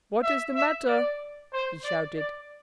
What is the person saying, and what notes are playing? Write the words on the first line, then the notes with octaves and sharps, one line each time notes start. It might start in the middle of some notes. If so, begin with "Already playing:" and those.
"What is the matter?" he shouted.
E5
E5
D5
C5
D5
D5